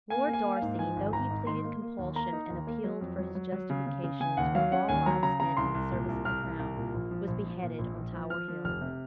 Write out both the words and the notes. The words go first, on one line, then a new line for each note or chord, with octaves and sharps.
Lord Darcy, though he pleaded compulsion, and appealed for his justification to a long life spent in the service of the crown, was beheaded on Tower Hill.
A#3 G#5
A#3
G#5
A#3
F5
G#2
F3 G#5
G#1
G#1 A#5
G#2
D#3 C6
A#3
A#3
D#2
A#3 A#5
D#4
D#2
A#3
F#3
F2
F#3
F#3
F#3
C#3
C#3
C#3
C#3 G#5
D#2 F#5
F#3 F5
C#4 F#5
D#2 G#5
F#3 A#5
C#3 A#5
C#3 A#5
C2 C6
C2
A#2
C2
C2 F6
C2
C2
A#2
A#1
F3
A#1
F3
A#2
A#1
A#1
F3
F3 F6
F3
F1 F6
C3